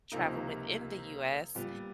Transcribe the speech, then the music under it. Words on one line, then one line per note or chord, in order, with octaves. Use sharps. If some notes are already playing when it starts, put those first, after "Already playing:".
traveled within the US,
C#2 C3 F3 A#3 D#4
A#2 G3 B3